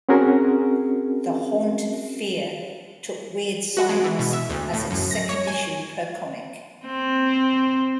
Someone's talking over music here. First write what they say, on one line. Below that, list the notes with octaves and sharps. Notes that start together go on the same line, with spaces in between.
"The Haunt of Fear" took "Weird Science" as its second issue per comic.
C4 C#4 F#4 G#4 A#4
F#4
G#3
E3
B2
E5
D2
A2
F#2
A#6
C#5
G#5
C4